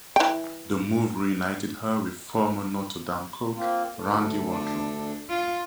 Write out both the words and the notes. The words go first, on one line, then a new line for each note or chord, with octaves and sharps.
The move reunited her with former Notre Dame coach Randy Waldrum.
E3 G5
A#3 C4 F4
D2 A4
D4
F4